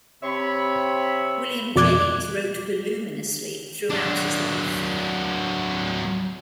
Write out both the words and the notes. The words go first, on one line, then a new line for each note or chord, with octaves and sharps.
William James wrote voluminously throughout his life.
C3 C4 C#5 E5 B5
F2 B2 D5 D6 F#6 G#6
F#3 D4